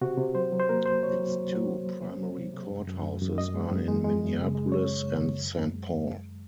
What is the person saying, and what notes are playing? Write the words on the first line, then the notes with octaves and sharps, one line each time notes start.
Its two primary courthouses are in Minneapolis and Saint Paul.
C3 F#4
C3
F#3 C5
F#3
C5
A#3 A#4
C2 C5
C3 C#5
F#3
F#3
F#3
A#3
F#3
C3
F#3
C3
C3
F#2
F#2
F#2
F#2
F#2 D#5
G#3
F#2
G#3
G#3
F#2
C#3
G#3
F#2 C#5
F#2
C#3
F#2
F#2
F#2
G#3